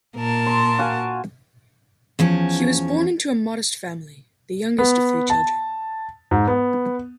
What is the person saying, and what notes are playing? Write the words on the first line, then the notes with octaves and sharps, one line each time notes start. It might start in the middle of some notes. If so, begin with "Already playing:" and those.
He was born into a modest family, the youngest of three children.
A#2 A#4 A5
C6
F#4 F5 G#5
E2 F3 C#4
B3
A5
G#2
B3